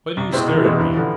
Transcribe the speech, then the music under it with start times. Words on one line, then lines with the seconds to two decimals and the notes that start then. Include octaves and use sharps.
Why do you stare at me?
0.17 C2
0.33 B2 G#3 C4 E4
0.48 C2 E3
0.64 B2 G#3 C4 E4
0.79 G2
0.94 D3 F3